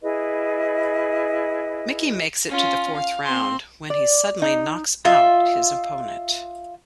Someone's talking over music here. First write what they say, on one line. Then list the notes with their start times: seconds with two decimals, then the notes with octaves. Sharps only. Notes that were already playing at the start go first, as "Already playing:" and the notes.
Mickey makes it to the fourth round, when he suddenly knocks out his opponent.
0.02 E4 G#4 B4 D#5
2.50 C#4 F4
2.95 F5
3.25 C4 C6
3.90 D5
4.42 D#4
5.05 F4 D#5 E5